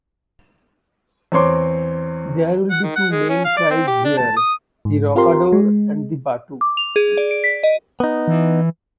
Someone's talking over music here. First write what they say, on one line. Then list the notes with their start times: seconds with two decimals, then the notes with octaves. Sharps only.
There will be two main tribes here: The Rokador and the Batu.
1.32 E2 C4 C#5 C6 D6
2.71 F#5
2.83 D#3
2.96 F#5
3.13 G#3
3.29 C#4
3.45 F5
3.57 D5
3.71 C4
3.87 G4
4.05 D4
4.17 A5
4.36 D#6
4.85 G#2
5.15 C4 F4 G4 A#4 C6
5.52 G#3
6.61 D6
6.77 F7
6.96 G#4
7.17 D5
7.31 D7
7.44 B6
7.63 D#5
8.00 B3 D#4
8.28 E3